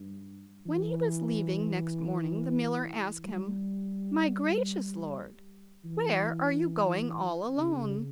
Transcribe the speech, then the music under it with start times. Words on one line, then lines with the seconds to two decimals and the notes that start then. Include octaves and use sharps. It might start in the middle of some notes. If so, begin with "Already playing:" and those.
When he was leaving next morning the miller asked him: 'My gracious lord, where are you going all alone?'
Already playing: G2
0.66 E3
3.25 G3
5.85 E3
7.57 C#3